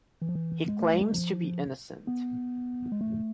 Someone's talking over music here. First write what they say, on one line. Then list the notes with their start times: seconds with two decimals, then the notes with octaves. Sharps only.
He claims to be innocent.
0.22 E3
0.29 F3
0.35 E3
0.68 G#3
0.80 A3
0.93 G#3
1.14 F3
2.07 B3
2.92 G#3
3.01 A3